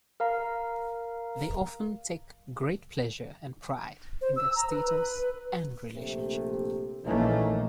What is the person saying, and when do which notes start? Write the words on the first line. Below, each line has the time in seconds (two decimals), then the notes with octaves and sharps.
They often take great pleasure and pride in their status and relationship.
0.20 A#4 F5 A#5
4.21 C5
4.36 E6
4.56 A#5
4.70 B4
5.95 A#1 C3 A3
7.05 A#1 E3 A3 A#3 C#4 D#4